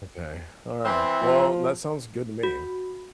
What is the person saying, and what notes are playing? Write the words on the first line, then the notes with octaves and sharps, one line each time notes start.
Okay, all right, well, that sounds good to me.
E3 C4
F3
F#4